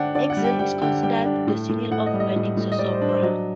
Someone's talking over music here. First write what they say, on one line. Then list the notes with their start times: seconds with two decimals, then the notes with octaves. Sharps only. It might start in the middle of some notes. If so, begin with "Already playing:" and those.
"Exiled" is considered the single of "Burning Sosobra".
Already playing: D3 D4 F#5 G5
0.15 D3 D5
0.30 F#5
0.37 G3
0.44 G5
0.59 G3 G5
0.81 D3 G5
1.03 G3 G5
1.26 D4
1.47 A2
1.69 A2
1.91 A2 F#5
2.06 D#5
2.14 G3
2.20 D#5
2.36 A2
2.57 A2
2.72 D#5
2.79 G3 D5
2.94 C5
3.01 D4
3.09 C5
3.23 F#3 D#5